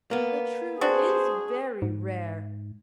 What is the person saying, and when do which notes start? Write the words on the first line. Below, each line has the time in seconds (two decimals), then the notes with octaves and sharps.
The truth is very rare.
0.11 A#3 B3
0.81 C4 D4 F#4 G#4 C5
1.82 G#2